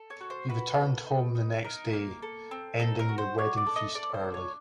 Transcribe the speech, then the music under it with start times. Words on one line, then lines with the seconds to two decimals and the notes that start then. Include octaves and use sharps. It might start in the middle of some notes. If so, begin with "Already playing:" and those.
He returned home the next day, ending the wedding feast early.
Already playing: A4
0.10 C#5
0.21 F#4
0.30 C5
0.49 F#4 B4
0.78 A4
1.06 D#4
1.35 D#4
1.64 D#4 A#4
1.93 A#3
2.22 A4
2.51 C4
2.80 D#4 A4
2.99 A#4
3.09 F#4
3.18 C5
3.38 D4 C#5
3.57 D5
3.67 A4
3.76 D#5
3.95 A4 D5
4.14 C5
4.24 D4
4.34 C#5